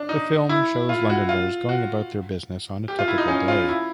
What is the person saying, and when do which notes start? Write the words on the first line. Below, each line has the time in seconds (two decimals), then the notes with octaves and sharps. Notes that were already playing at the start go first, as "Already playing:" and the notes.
The film shows Londoners going about their business on a typical day.
Already playing: D4
0.09 D#4
0.49 E4
0.89 F4
1.10 F#4
1.29 F4
1.69 F#4
2.88 G4
2.99 F4
3.08 E4
3.18 D#4
3.28 C#4
3.48 F4
3.68 E4